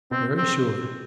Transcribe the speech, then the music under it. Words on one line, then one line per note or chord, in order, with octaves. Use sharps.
"Very sure!"
B2 C4
C4